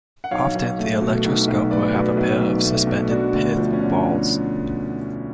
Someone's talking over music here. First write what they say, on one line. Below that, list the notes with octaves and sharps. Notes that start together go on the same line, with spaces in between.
Often the electroscope will have a pair of suspended pith balls.
F#5
B1 C#5 F5
B1
A3
B2
B1
B1
A3 B4 D5
B2
B1
B1
A3
B2
B3 D4 F#4
D2
F3
C#4
D3 D4